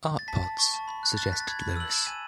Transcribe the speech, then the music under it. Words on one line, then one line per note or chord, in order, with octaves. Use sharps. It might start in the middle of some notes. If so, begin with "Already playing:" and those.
"Art pots," suggested Lewis.
A6
A5 B6
A5
C#6
A5
B5
F#6
F#6 A6
F#6 B6
A6
B5 G#6
B5
E6 F#7
E6 E7
G#5 D#7